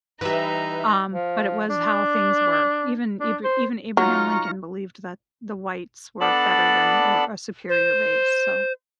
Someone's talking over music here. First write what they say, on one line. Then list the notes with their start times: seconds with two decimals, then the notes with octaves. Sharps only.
Um, but it was how things were. Even eve even Abraham Lincoln believed that the whites were better than or a superior race, so.
0.21 E3 G3 D#4 B4 E5 A#5
1.11 F3
1.69 D4
3.20 D4
3.44 C5
3.97 F#3 D#4 F4 A#5 C#6 F6
6.21 B3 D4 A4 D5 A5 B5
7.69 C5